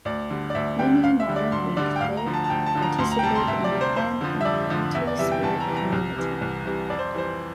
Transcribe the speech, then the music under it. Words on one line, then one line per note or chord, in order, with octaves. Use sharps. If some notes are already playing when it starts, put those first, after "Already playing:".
Many modern "winkte" participate in the pan-Indian Two-Spirit community.
D2 D5
D3 G3
D5
D2 E5
D3 G3 G5
D2 F5
E5
D3 G3
D5
D2 C6
D3 G3 D5
G5
D2 F5
A#5
D3 F3
A5
A5
D2 G5
A5
D3 F3
A#5
D2 C6
A#5
G5
C3 G3 A5
C6
D2 E5
D5
C3 G3
C5
F2 C5
D3 F3
E5
F2 D5
D3 F3
E2 E5
D5
C3 E3 G3 E5
G5
E2 A5
A#5
C3 E3 G3
A#5
C2
C3 E3 G3
C2
C3 E3 G3
F2 D5
C5
E3 G3 C5